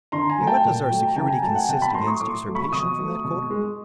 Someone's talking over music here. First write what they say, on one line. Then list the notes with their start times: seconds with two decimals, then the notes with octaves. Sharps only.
In what does our security consist against usurpation from that quarter?
0.12 D3 A#5 C6
0.30 G#5 A#5
0.38 F#3 A3
0.47 G5 A5
0.65 A#2
0.91 F#3 A3
1.07 A#5
1.16 C#3 G5 A5
1.30 G#5 A#5
1.42 F#3 A3 G5 A5
1.55 F#5 G#5
1.69 B2 G5 A5
1.81 A5 B5
1.94 F#3 A3 A#5 C6
2.07 C#6 D#6
2.20 A2 C6 D6
2.46 F#3 A3
2.55 B5 C#6
2.72 B2 C#6 D#6
2.99 F#3 A3
3.24 B2
3.50 G#3